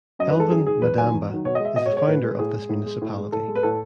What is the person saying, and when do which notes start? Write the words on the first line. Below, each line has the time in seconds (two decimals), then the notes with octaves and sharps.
Elvin Madamba is the founder of this municipality.
0.19 F#2 D#5
0.30 B4
0.35 D#3 G#3 A4
0.50 F#2 G#4
0.66 D#3 G#3 G#4
0.82 E2 B4
0.97 D#3 F#3 G#5
1.14 E2
1.29 D#3 F#3
1.45 B2 C#5
1.55 D#5
1.60 G#3
1.65 E5
1.76 B2 D#5
1.86 C#5
1.91 G#3
1.97 C#5
2.07 A2 B4
2.23 G#3
2.39 A2 G#4
2.54 G#3
2.69 A2
2.86 G#3
3.02 A2
3.17 G#3
3.32 A2 A4
3.48 G#3
3.55 B4
3.63 A2 A4